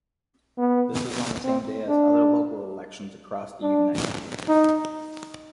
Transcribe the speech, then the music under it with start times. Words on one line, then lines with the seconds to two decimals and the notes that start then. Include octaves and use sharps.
This was on the same day as other local elections across the United Kingdom.
0.58 B3
1.44 C4
1.88 D4
3.62 D4
4.48 D#4